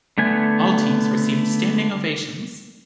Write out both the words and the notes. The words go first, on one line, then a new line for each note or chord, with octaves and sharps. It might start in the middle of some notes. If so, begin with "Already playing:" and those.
All teams received standing ovations.
D3 A3 B3 G#5